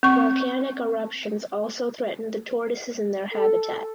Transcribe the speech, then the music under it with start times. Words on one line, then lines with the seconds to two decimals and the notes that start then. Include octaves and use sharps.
Volcanic eruptions also threaten the tortoises and their habitat.
0.03 C4 C#6
3.33 A4